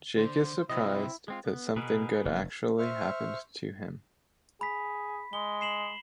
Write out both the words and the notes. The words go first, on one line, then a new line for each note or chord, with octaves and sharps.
Jake is surprised that something good actually happened to him.
D3 C5
C3 F#3 C4 E4 D#5
G#3 C4 F4
B3
B2 G#4 A#4 B4
F1 A#3 B3
C5 E5 C#6 F6
G#4 B5 B6
G#3 G7
C7 E7 F#7